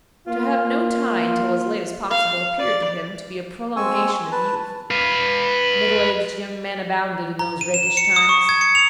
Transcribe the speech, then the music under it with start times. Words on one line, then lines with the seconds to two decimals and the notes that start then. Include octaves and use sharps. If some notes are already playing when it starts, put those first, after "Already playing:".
To have no tie until as late as possible appeared to him to be a prolongation of youth. Middle-aged young men abounded in those rakish times.
0.27 A#3 F4
2.11 F5
2.59 D5
3.76 G#3 C4 G#5 C#6 E6
4.32 B4 A5
4.91 B4 F5
7.39 A#5
7.61 D#7
7.74 E7
7.97 C#7
8.16 D#6
8.29 C#6
8.49 G#6
8.61 C#7
8.75 F7